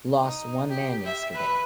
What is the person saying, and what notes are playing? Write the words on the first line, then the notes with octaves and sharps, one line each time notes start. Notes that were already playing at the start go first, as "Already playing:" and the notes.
Lost one man yesterday.
D#4
G4
E5
B4